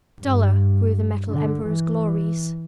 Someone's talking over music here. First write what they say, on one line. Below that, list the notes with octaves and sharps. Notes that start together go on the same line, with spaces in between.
Duller grew the Metal Emperor's glories.
G2
D3
E3